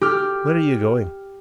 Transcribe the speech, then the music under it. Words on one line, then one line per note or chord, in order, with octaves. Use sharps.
"Where are you going?"
G4 F6